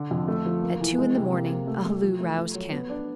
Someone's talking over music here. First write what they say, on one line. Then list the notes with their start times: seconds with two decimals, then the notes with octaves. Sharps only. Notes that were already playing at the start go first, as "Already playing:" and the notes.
At two in the morning a halloo roused camp.
Already playing: D3
0.11 F2
0.28 A3
0.46 F3
0.63 A#3
0.81 E3
0.97 G#3
1.15 C3
1.32 A#3
1.50 A#3
1.67 A3
1.85 A3
2.02 F3
2.20 A3
2.37 A3
2.54 F#3
2.72 B3
2.90 D4